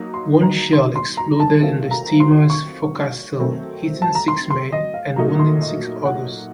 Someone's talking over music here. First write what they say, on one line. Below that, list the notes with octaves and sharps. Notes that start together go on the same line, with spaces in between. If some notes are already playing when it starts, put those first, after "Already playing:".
One shell exploded in the steamer's forecastle hitting six men and wounding six others.
Already playing: F#3 A#3 D#4
C6
A#5
C6
C6
A#5
A5
D#3 F#3 A3 C4 F4
A#5
C6
C#6
D#3 F#3 A3 C4
A5
A#5
C6
C6
D#5
F5
A#2 F#3 A3 D#4 F#4 A#5
C6
D#5
F#5